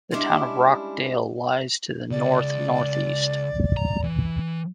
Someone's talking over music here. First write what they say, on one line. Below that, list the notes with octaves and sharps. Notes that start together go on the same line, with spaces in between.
The town of Rochdale lies to the north-northeast.
G3 G#3 C#4 D4 E4
C#2 D5
A#5
E3